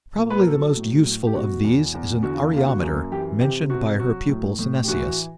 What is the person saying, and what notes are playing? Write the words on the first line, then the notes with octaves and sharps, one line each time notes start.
Probably the most useful of these is an areometer mentioned by her pupil Synesius.
A#2
B4
A#4
F#3 A4
A2
A2
G4
B2 F#4
E2
E2
D3 F#4
F4
A#3 F4
F#4
F#2
E3 G4
C3 G4
C3 F#4
F#3 F#4
A2
A2
G4
E3 F#4